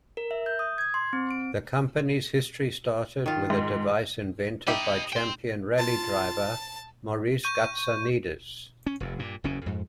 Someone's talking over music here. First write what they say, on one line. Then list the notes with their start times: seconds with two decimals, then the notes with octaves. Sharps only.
The company's history started with a device invented by champion rally driver Maurice Gatsonides.
0.17 A#4
0.31 E5
0.46 G6
0.59 D#6
0.78 G#6
0.94 C6
1.13 C4
1.31 D7
3.26 D#3 F4
3.50 G#2
4.67 D#4 G4 D#5 E5 B5
5.13 G5 C6
5.78 F4 A5
7.44 C#6 G6 D#7
8.87 C#4
9.00 F1 F2
9.19 G2 A#2
9.44 F#1 E2 C#3 C#4
9.66 F2 G#2